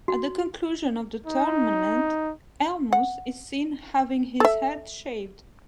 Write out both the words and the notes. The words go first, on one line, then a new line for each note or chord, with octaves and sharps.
At the conclusion of the tournament, Hellmuth is seen having his head shaved.
F#4
D#4
F#5
A4 E5